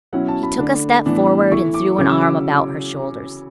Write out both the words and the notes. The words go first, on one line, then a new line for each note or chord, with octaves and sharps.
He took a step forward and threw an arm about her shoulders.
B2 F#3 C#4 E4 F#5
A5
B5
D3 A3 D4
A2 E3 B3 D4
E3 A3 E4 C#6
D6
C#3 F#3 C#4 E4 D6
E6
D6